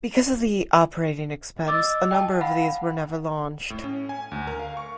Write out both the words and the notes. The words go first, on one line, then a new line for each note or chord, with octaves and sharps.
Because of the operating expense, a number of these were never launched.
D#5 D6 E6 A6
G5 A5
F5 F#5 B5
A2
C#4
G#5
D2
A#4
F5
C#6